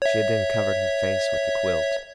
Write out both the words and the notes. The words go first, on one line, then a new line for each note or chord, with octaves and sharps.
She had then covered her face with the quilt.
C#5 E5